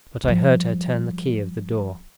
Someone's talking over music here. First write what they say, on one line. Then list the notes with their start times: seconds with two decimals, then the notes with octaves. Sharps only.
But I heard her turn the key of the door.
0.24 F3 G3